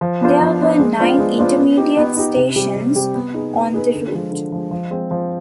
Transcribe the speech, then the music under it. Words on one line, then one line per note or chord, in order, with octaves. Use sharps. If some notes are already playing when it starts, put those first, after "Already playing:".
There were nine intermediate stations on the route.
F3
B3 D4 F4 C5
F3
B3 D4 F4 C5
G#3
B3 D4 F4 C5
G#3
B3 D4 F4 C5
B3
D#4 G4
B3
D#4 G4
C3
G3 C4 G4
C3
G3 C4 G4
B3
D#4 G#4 B4
B3
D#4 G#4 B4
D3
F3 G#3
D3
F3 G#3
F3
G#3 C4
F3